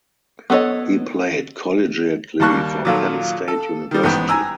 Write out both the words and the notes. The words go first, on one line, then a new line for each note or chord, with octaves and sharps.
He played collegiately for Penn State University.
B3 A4 B4 C#5 D#5
D#2 G3 A#3 A5 C#6 F#6
A#2 D#3 F#3 F4 A4
A4
D#3 G3
A1 G#2 B3 G5
G#5 A#5 E6